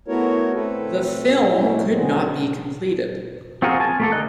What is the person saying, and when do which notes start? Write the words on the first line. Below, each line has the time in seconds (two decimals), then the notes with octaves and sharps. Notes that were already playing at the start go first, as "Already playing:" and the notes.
The film could not be completed.
0.08 A3 B3 E4 F#4 A#4 C#5
0.54 A3 C4 A4 B4
1.49 C3 F#3 C#4 D#4 E4
1.88 F#3 G#3 B3 C4
3.62 C4 F4 F#4 G#4 A#4
3.80 G#5 A5
4.00 A3 A#3 A4
4.12 D3 G#3 D#4 D#5 F#6